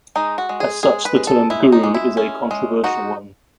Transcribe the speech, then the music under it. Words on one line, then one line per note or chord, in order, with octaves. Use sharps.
As such, the term "guru" is a controversial one.
G#3 D#4
F#4
G#3
G#4
G#3 G#4
B4
G#3
A4
G#3 E4
D#4
G#3
E4
C#4
G#3
D#4 F#4